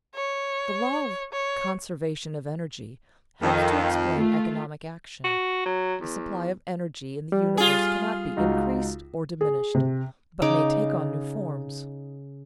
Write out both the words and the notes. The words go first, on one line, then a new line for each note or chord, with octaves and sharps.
The law of "conservation of energy" helps to explain economic action; the supply of energy in the universe cannot be increased or diminished, but may take on new forms.
C#5
C#5
F2 D#3
A3 F4
F#4
F#3
E2
G3
F4 G#4
C#2 D#4 F#4
G#4
C3
C#3 D#4 D6